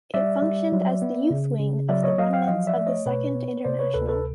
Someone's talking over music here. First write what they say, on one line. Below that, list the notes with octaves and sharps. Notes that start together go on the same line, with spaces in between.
It functioned as the youth wing of the remnants of the Second International.
G3 D5 E5
G3
F#3
B3
C#3
C#3
F#3 D5 E5
C#5 D#5
F#3 D#5 F5
F5 G5
F#5
F3 D#5 F5
D5 E5
A3
C#5 D#5
B2 B4 C#5
B3
C3 C5 D5
B4 C#5
D2 A4 B4
A4 B4